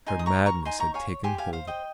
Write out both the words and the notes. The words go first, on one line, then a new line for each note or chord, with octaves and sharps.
Her madness had taken hold of her.
D#4 G#5 C6
D#6
A#5 C#6
A#4
A#5 C#6
D#4 G#5 C6
A#5 C#6
C#5 F5 G#5
G4 G#5 C6
F5 G#5
C5 F5
D#5 G5